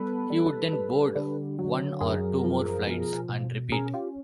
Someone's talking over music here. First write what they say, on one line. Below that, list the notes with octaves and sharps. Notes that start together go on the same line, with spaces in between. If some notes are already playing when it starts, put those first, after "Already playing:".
He would then board one or two more flights and repeat.
Already playing: G3 B3 A4 B4
G3
G3
D3
F#3
F#2 G#4 A#4
F3
B2
B2
C#4 G#4 A#4
F4 G4